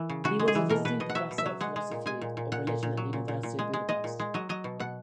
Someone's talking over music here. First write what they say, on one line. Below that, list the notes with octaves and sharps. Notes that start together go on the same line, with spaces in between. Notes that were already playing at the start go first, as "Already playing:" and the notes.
He was visiting professor of philosophy of religion at the University of Budapest.
Already playing: E3 A#4
C#3
C#3 F#4
G#3
G#4
E3
B2 A#4
B2 B4
B2 D#5
F#5
F#3 E5
B2
E5
F#3
G#3 F#5
G#3
A#2
G#3 G#5
A#2
A#2
A#2 F#5
A#2
A#2
F#3
A#2
A#2
A#2
G#3
G#3
G#3 D#5
A#2
G#3
F#3 D#5
F#3 D#5
B2
B2 F#5